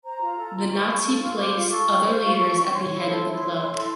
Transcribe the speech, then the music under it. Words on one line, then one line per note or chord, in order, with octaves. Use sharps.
The Nazi place other leaders at the head of the club.
C5 A#5
F4
A4
F4
C5 C#6
F4
A4
F4
C5 D6
F4
A4 C#6
F4
C5
F4
A4
F4
C#5 C6
C#6
E4
C6
A4
E4
C#5
E4
A4